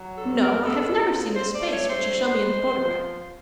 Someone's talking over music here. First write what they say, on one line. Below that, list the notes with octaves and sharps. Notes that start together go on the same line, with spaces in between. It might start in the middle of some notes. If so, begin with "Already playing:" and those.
No, I have never seen this face which you show me in the photograph.
Already playing: F#3
G2 A4
G2 A#4
G#3 A4
B3
C#3
A2 C5
D5
A3
C#5
D4
C5
C3
C3
G#3
F3